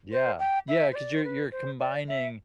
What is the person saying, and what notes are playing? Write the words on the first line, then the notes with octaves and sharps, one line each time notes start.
Yeah, yeah, 'cause you're you're combining,
C5
G5
E5
C5
D5
C5
B4
C5
D5
E5